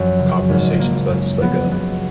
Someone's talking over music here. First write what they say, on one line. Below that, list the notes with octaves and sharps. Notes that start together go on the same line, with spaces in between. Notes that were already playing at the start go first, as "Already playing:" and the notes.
conversation, so a just like a
Already playing: F#2 F3
C#3
G#1
F3 A#3
F#2
F3 B3
C#2 B3